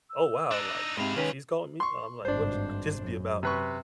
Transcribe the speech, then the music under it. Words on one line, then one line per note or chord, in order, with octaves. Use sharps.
"Oh, wow." like, uh, "She's calling me?" and I'm like, "What th this be about?"
E6
D4 D#4
G#2 C3 G#3 F5 B5
D#3 C#4 B4 G#5
C6 C#6
G#1 G2 D4 C5
F#2
C3 B4 C#6